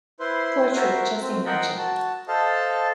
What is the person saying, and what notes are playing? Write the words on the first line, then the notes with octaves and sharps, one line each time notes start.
Poetry, just imagine!
E4 B4 C5 C6
F#4 A#4 C5 E5
C4
A#4 C5 D#5 F#5 G5
F#4 A5
A4 C5 D#5 F5 A5